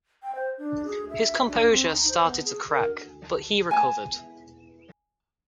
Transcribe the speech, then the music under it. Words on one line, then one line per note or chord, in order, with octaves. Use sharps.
His composure started to crack, but he recovered.
G5
C5
D4
G#4
E5
D4
C4
D#4
C5
B3
G#4
A#4
G#5 A5